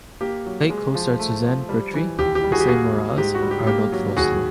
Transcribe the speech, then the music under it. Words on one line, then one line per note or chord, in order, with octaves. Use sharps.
The play co-starred Suzanne Bertish, Esai Morales and Arnold Vosloo.
A#3 G4
F#3
G#3
F3
A3
F3
G3
E3
D#2 G4
G4
G3
F#4 G#4
G4
A#3 F#4 G#4
G3
G#2 G4
F#4
G3
G4
A#3 G4
F#3
D#2 F#4 G#4